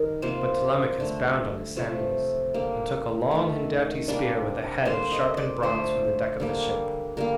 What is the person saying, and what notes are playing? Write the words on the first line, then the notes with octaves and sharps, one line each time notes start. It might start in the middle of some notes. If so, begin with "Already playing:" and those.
But Telemachus bound on his sandals, and took a long and doughty spear with a head of sharpened bronze from the deck of the ship.
Already playing: D#3 G3 A#4
C3 F3 A#3 C5
D3 A3
C3 F3 A3
D3 G3 A#3
D#3 A3
C3 G3 A#3 D4
D3 G3 A#3 C5
D#5
D5
D3 F3 A3 C5
D3 G3 A#3
D3 G3 A#3 A#4